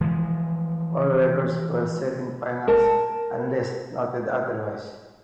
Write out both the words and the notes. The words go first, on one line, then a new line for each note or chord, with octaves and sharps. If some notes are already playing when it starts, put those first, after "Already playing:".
All records were set in finals unless noted otherwise.
E3 F3 G#3
A#4 A5